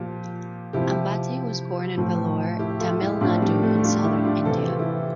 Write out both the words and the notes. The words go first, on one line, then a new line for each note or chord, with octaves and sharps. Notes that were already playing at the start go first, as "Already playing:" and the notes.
Ambati was born in Vellore, Tamil Nadu in southern India.
Already playing: A#2 F3 G4
C3 F3 E4 G4
A2 F3
E4 G4
F4 A4
E4 G4
A2 F3 D4 F4
G3
A3
G4
D4 F4
E4 G4
D4 F4
C3 E3 A4
G4
F4
E4 G4